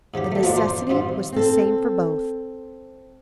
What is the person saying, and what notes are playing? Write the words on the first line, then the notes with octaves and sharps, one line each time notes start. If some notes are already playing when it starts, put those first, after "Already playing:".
The necessity was the same for both.
G#2 C#3 G3 G4
F#3 A3
A#1 F3 D4 D#4 F4 D5
C5 D5
G#2 G3 C4 F4
C4 A4